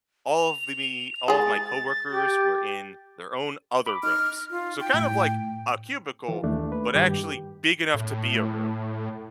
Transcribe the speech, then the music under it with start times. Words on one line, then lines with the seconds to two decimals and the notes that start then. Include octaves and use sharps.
all of the me all of my coworkers were in their own other rooms, so kind of like a cubicle, but actually big enough to be a room.
0.37 F7
1.28 G#3 G#4 A6
2.11 G4
3.86 B5 D6
4.03 D#4 F6
4.50 F4
4.80 G5
4.94 A2
6.28 E3 F4
6.44 D#2 A3 D4
6.72 B4
6.95 G2 D#3 G4
7.94 A2